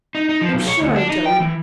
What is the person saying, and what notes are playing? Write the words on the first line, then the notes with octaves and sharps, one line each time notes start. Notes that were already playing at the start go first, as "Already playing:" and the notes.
'I'm sure I don't!
D#4
D#4
F3
B1
C#5
D2
D4
D#4
G5
E3